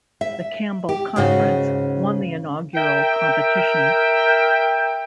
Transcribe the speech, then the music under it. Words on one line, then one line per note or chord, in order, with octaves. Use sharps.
The Campbell Conference won the inaugural competition.
E5
G4
G#2 C#3 D#4 F#4
A#4 E5 G5